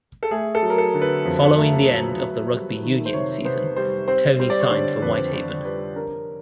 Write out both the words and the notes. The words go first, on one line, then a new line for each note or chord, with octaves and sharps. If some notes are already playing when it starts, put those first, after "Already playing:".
Following the end of the Rugby union season Tony signed for Whitehaven.
A4
A3 G#4
A4
F#3
A#4
A4
D3
B4
F2
A3
F#3
B3
G3
D#3
C5
C3 C#5
B3 C5
G3 C5
C4 C5
G3 C5
D5
C#5
D3 C5
F2 B4
C4 C5
G3 B4
D4 A#4